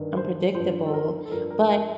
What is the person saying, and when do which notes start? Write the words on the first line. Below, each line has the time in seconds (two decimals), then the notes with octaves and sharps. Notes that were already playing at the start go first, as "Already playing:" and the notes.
unpredictable, but
Already playing: G2 D#3
0.17 C5
0.55 G2 F3 C5
0.86 A4
0.94 A#4
1.25 A4
1.31 G2 F3 A#4
1.50 A#4
1.70 A#4